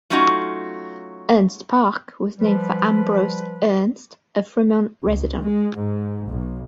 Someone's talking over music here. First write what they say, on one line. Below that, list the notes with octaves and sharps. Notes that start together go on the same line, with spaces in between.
Ernst Park was named for Ambrose Ernst, a Fremont resident.
F#3 A3 C#4 D#4 F4 F#4
F3 G3 B4
C#2
G#3
G#2
B1